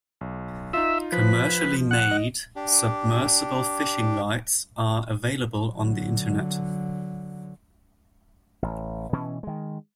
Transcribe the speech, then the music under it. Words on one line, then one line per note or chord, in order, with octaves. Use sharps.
Commercially made, submersible fishing lights are available on the internet.
B1
D#4 F4 E5
F3 B4
F#5
D#5
D4 G4
D3 F#3
A1
B2 E3 C#4
D#3 G#3